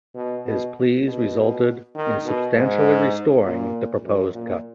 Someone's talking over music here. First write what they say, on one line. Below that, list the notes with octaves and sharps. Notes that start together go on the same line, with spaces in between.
His pleas resulted in substantially restoring the proposed cuts.
B2
B2
B2
D#3
B2
G#2
A#2
F#2
A#2